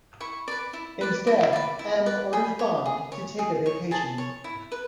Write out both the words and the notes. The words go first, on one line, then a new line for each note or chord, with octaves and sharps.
Instead, M orders Bond to take a vacation.
E4 C#6
B4 D5
E4
B4 D5
E4 D6
B4 D5
E4
B4 D5
G#4 B5
C#5
G#4
C#5
G#4
C#5
G#4 A5
C#5
E4
B4